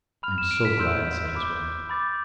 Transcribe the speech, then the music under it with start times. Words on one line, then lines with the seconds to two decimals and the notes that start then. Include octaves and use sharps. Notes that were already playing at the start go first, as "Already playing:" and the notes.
"I am so glad," said his wife.
0.23 B5 F6 F7
0.38 E7
0.51 D7
0.65 B6
0.80 C6 E6 G6
1.35 B5 D6 G6
1.89 B5 D6 G6 A6